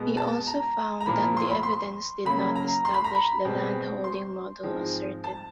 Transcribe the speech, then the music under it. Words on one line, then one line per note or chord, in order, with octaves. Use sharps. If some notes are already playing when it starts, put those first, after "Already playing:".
He also found that the evidence did not establish the landholding model asserted.
Already playing: B2 G#3 B3
A5
A#5
A#5
A#2 F3 A#3 B5
C6
B5
C6
C#3 F#3 A#3 B5
A#5
C6
B5
A#5
B5
B2 G#3 C4
C6
G#2 F3 G#3 C4
A5